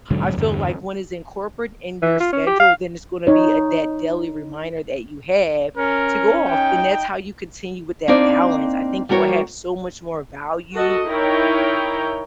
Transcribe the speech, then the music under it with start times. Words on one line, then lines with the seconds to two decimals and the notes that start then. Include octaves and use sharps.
I feel like when it's incorporate in your schedule, then it's gonna be a that daily reminder that you have to go off. And that's how you continue with that balance. I think you will have so much more value
0.10 B1 G#2 D3 F#3
0.37 E2 G2 D3
2.02 E3
2.20 F4
2.33 C#4
2.47 G4
2.59 F5
3.27 D#4 C#5
5.77 C#4 A#4
6.49 D#4 G5
8.08 A#3 C4 D4 D#4 D5
9.09 G3 A#3 F#4 A#4 C#5
10.73 F#4 A4 D#5
11.06 D#4 E4 A#4 C#5 G5